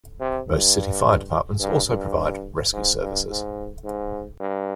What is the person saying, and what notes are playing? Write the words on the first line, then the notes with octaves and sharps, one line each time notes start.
Most city fire departments also provide rescue services.
C3
G2
G2
G2
G#2
G2
G#2
G#2
G2